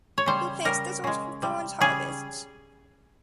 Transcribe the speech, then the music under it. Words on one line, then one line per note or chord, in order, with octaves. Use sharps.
Who plants thistles, thorns harvests.
C#5
C#3 G3 C5
C#3 G3 A#4
C#3 G#3
C3 G3
C#3 G3 G#4